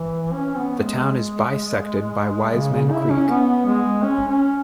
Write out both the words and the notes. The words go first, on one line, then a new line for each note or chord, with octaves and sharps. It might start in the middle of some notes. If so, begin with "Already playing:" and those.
The town is bisected by Wiseman Creek.
Already playing: E3
C#4
B3
G#3
C#3
C#3
E4
C#4
B3
G#3
C#4
C#4